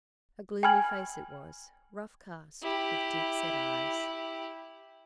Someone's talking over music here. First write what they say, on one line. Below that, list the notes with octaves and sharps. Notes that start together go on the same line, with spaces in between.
A gloomy face it was, rough-cast, with deep set eyes.
G5 G#5 B5 F6 G#6 F#7
E4 G4